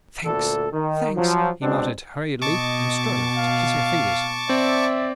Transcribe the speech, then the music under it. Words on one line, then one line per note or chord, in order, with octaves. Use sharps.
"Thanks, thanks," he muttered, hurriedly, and strove to kiss her fingers.
D2 A#2 D3 A4
D#3
F3 F#3
B2 G#3 C4 D4
B2 D#5 A5 C#6 D6
F5
C4 D5 E5